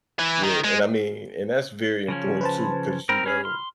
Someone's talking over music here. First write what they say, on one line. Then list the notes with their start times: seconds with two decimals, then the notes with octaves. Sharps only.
yeah, and I mean and that's very important too 'cause, you know,
0.19 E3
0.43 D#3
0.64 G#3
2.08 C#3 F3 C#4
2.24 G3
2.41 B4 C5 A5
3.09 C4 A#4 B5 F6
3.26 C#4 G#4
3.45 C6